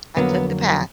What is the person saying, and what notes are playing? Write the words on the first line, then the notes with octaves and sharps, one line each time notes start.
I took the path
F2 D3 F#3 A#3 B3